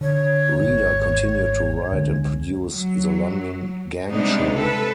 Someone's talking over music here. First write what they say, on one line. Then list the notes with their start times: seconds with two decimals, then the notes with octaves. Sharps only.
Reader continued to write and produce the London Gang Show.
0.01 D3 C#5
0.61 G#1 G#2 D#3
1.92 C#2 D3 G#3
2.71 F#3
4.10 C3 G3 G#3 B3 D4 D#4
4.56 C4 A4 B4